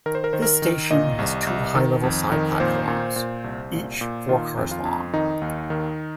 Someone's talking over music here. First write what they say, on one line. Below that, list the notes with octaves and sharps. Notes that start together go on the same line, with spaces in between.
This station has two high-level side platforms, each four cars long.
D#3 A#4
C5
A#4
D#3 C5
A#4
D#3
A#2 D#5
C2
C2
D#3
F2
D#3
A#2 C5
A#2
A#2
C2
A#2
A#2
D#3 F4
F2
F4
F2
D#3 D#4
D#2
D#3